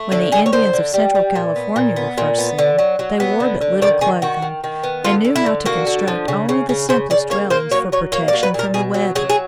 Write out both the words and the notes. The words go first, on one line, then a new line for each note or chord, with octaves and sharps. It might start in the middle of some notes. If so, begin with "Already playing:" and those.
When the Indians of central California were first seen, they wore but little clothing, and knew how to construct only the simplest dwellings for protection from the weather.
Already playing: A3
D3 A4
D3 G#4
C#5
D3 C5
D3
G3
G3
A#2
B3
A#2
B3
A#2
B3
D3
F#3
F#3
B3
D3
D3
D#3 D5
D#3 G#4
D#3 F#4
D#3
D#3
B3
D3 F4
D3
E4
D3
A#3 F#4
D3
F3
C#3
C#3
C#3
C#3 C5
C#3 D5
A#3 C#5
A#3 C5
F#3 C#5
F#3 C#5
A#3 C#5
D5
F#3
B4
A#2 A#4
B2 G#4
F#3
F#3 G#4
G#4